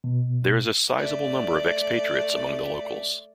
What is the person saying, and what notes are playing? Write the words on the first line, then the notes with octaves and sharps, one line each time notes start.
There is a sizeable number of expatriates among the locals.
B2
A3 D5